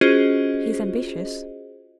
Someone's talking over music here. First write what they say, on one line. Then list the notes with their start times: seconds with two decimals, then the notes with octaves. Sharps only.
"He is ambitious."
0.01 C#4 F4 F#4 G#4 C5 D#5